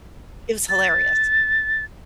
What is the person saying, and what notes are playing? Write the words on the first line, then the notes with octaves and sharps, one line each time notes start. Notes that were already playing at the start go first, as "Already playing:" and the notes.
It was hilarious.
A6